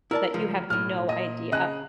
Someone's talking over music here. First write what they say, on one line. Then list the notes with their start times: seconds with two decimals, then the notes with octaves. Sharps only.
that you have no idea
0.11 E4 A#4 D5 A5
0.34 C#2 F3
0.70 B1 A2 F6
1.09 A#2 D#5
1.52 C#3 D#5 F#6